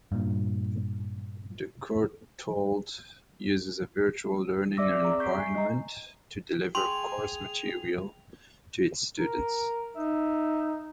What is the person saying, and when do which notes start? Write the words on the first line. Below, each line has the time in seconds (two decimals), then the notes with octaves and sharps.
The Courtauld uses a virtual learning environment to deliver course material to its students.
0.12 G2 A#2
4.76 D5 E5 D6 E6 A#6 B6
4.88 C4
5.01 G#4 A#5
5.19 C#6 G6 B6 C7 D7
5.36 E5 G#5 C7
5.55 D#5 A#5
6.75 G#4 G5 G#5 C6 F7
9.19 A#4
9.96 D#4 E5